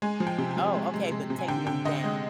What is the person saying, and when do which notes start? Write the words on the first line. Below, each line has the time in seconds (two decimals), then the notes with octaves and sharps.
Oh, okay, but taking him down.
0.02 G#3 G#5
0.20 F3
0.27 G5
0.38 C3
0.51 G#5
0.57 F3
0.75 G#3
0.94 G#3
1.12 G#3
1.30 C3
1.38 G#5
1.48 D3 G5
1.67 D3 G5
1.85 D3 D#5
2.04 G#3